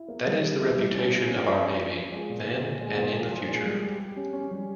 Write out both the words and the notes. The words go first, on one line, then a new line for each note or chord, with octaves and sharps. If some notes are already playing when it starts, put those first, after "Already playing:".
That is the reputation of our Navy, then and in the future.
Already playing: E4
A#3
G3
G4
E4
G3
C#4
F3
C#4
F3
C#4
F3
F3
G#3
A#2
A#2
A#2
G#3
A#2
A#2
F3
G#3
G3
G4
G4
C#4
C#4
G3